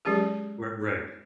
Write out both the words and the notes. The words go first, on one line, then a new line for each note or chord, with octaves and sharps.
R right.
F#3 G#3 C#4 G4 G#4